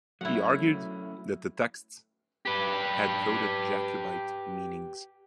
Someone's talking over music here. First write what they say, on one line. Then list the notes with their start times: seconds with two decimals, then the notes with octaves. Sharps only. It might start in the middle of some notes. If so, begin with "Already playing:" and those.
He argued that the texts had coded Jacobite meanings.
0.21 F#3 A3 C#4 E4 F#5
2.46 G4 B4